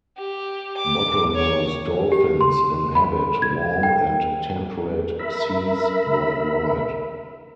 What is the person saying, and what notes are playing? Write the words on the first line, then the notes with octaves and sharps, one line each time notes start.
Bottlenose dolphins inhabit warm and temperate seas worldwide.
G4
D6
C#5
G4
C6
B5
G#6
G5
A#4 E5 B5